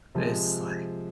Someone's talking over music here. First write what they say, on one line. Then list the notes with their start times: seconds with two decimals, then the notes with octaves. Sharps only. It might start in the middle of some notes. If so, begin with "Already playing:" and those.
it's like
0.15 C3 F3 G#3